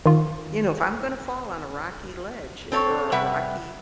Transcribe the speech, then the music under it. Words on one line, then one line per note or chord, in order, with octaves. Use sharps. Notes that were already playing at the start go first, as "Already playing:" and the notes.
You know, if I'm gonna fall on a rocky ledge, eh, or a rocky,
D#3 F4
C4 A4 C#5
C3 G3 B4 E5 F#5